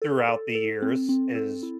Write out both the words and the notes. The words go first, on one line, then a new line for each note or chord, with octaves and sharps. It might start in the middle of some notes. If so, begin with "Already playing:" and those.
throughout the years is
A4
A4
A4
C4
C4
A4
E4